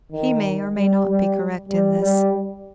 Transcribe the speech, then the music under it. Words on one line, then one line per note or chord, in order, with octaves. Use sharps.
He may, or may not, be correct in this.
D#3
G3
G3
G3
G3